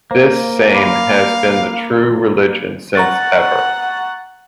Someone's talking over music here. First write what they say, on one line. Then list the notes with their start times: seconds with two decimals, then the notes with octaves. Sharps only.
This same has been the true religion since ever.
0.11 A#3 C5
0.73 F5 B5 D6 A#6
2.95 F#5 A#5 C#6 A6